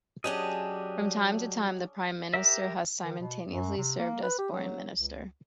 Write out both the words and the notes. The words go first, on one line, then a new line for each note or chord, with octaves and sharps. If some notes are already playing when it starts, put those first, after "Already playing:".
From time to time, the Prime Minister has simultaneously served as Foreign Minister.
F#3 C#4 D4 G4 G#4 D#5
G4 A#4 E5
D#3
B2
F#2
C3
A#3
B4
G4
F#3
C#2